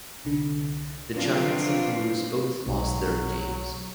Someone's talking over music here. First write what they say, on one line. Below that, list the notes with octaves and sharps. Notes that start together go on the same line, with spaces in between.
The Giants and Brewers both lost their games.
C2 D3
F3 F#3 C4 D4 F4 B4
B1 F#3